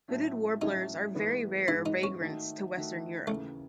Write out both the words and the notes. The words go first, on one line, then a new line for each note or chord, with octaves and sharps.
Hooded warblers are very rare vagrants to western Europe.
A2 F#3 A3 C#4
A2 F#3 A3 C#4 D#4
G#2 E3 G#3 B3
G#2 E3 G#3 B3 E4
D#4
C#4
D#3 A3 D#4 F#4
D#3 A3 D#4 F#4
D#2 C#3 E3 A3